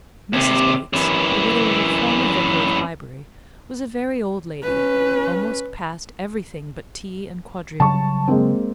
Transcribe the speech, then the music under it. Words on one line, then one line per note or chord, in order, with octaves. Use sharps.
Mrs. Bates, the widow of a former vicar of Highbury, was a very old lady, almost past every thing but tea and quadrille.
D#2 C3
F#2 E3
C#4 B4
C#3 F#3 G3 A5 C#6
G#3 A#3 C4